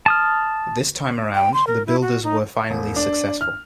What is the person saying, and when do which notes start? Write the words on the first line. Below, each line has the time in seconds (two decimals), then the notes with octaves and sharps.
This time around, the builders were finally successful.
0.06 A5 D#6 F6
1.34 G5
1.54 C6
1.67 A#4
1.87 E4
2.02 F#4
2.24 D#4
2.70 E1
2.96 D4
3.41 F6